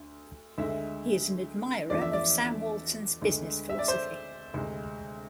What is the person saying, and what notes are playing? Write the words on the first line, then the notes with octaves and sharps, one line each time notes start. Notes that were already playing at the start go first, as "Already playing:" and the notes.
He is an admirer of Sam Walton's business philosophy.
Already playing: D2 D3
D2 D3 G#3 E5
E2 D3 F3 A3 D5
E5
D5
D2 D3 G#3
E5
D5
C5
D2 C3 G#3